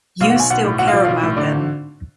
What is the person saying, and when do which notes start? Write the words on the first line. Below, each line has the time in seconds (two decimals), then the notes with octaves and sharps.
You still care about them.
0.21 B1 F5
0.30 F#5
0.36 B1 G#5
0.50 B1 F#5
0.65 A2
0.79 B1 F#5
0.88 F5
0.93 F3 D5
1.05 B1 F5
1.23 A2
1.37 D3 D5
1.52 G#1